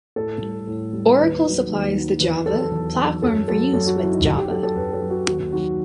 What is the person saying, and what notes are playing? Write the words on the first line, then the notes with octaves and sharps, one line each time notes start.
Oracle supplies the Java platform for use with Java.
A2 A4
G3
A2
G3
D#2 B4
D#3 F#3
D#2
D#3 F#3
E2 B4
D#3 F#3 A4
A4
E2
D#3 F#3
F#2 A4
F#3 A4
F#2 A4
F#4
F#3 E4
D#4
F#2 F#4
G4
F#3 A4
A4
F#2 B4
A4
F#3
F#4
D#2 F#4
D#3 F#3 F#4